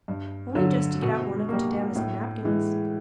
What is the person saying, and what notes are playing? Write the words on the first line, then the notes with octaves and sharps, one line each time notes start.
'Only just to get out one of t' damask napkins.'
G2
D3 F#3
B2
G3 A#3
A2
E3 G#3